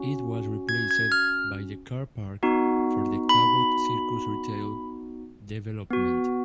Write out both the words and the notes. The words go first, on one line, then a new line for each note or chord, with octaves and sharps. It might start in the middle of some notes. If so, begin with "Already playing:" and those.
It was replaced by the car-park for the Cabot Circus retail development.
Already playing: C#4 F#4
G#6
G#6
F6
B3 D#4 F#4
B5
B3 F#4